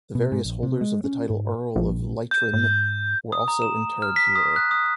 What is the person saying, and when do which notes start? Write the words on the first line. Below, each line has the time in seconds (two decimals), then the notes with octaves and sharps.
The various holders of the title Earl of Leitrim were also interred here.
0.15 B2
0.32 G#2
0.45 A#1
0.63 C3
0.81 G#3
1.04 C#4
1.30 G#2
1.76 A#1
2.31 G6
2.53 G#2
3.32 D#6
3.48 A#5
3.62 E7
4.02 F6
4.16 B6
4.35 D#6
4.56 F#6
4.71 D#6